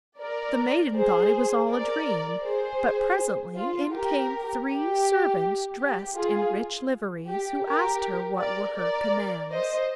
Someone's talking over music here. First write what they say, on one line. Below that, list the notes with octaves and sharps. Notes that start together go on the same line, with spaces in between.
The Maiden thought it was all a dream; but presently in came three servants dressed in rich liveries, who asked her what were her commands.
A#4 D5
G#4 C5
A#4 D5
G#4 C5
F4
G4 A#4
G4
G4
F4 G#4
G4
G4 A#4
A#4 D5
A#4 D5
C5 D#5